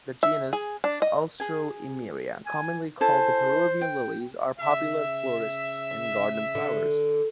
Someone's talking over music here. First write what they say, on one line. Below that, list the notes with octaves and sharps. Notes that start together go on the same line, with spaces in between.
The genus "Alstroemeria", commonly called the Peruvian lilies, are popular florist's and garden flowers.
E5
G#4
D4
D#5
G#4 G#5
G#5
E4 A4 C5 G#5
G5
C#3 E5
D3